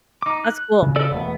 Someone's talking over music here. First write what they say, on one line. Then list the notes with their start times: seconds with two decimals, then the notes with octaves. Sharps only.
That's cool.
0.22 D#4 D6
0.45 F#6
0.82 C#3
0.96 A4 D5 E6
1.11 E1 A3 B3